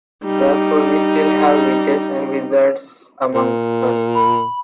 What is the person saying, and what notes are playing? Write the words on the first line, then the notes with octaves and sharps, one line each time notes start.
Therefore we still have witches and wizards amongst us.
G3 D#4
A#2
B5